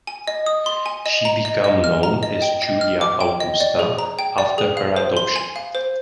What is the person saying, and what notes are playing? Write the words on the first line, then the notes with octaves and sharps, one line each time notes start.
She became known as Julia Augusta after her adoption.
G#5
D#5
D#6
C6
G#5
D#5
A#5
D#5
D#5
F6
A#5
D#5
G5
D#5
F6
D6
G5
D#5
D5
G#4
A#5
G5
D5
G#4
F5
C5
C6
G#5
F5
C5